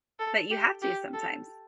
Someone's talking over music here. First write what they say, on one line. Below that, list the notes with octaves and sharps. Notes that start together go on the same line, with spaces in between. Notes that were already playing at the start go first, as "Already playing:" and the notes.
but you have to sometimes.
A4
G4
G4
A4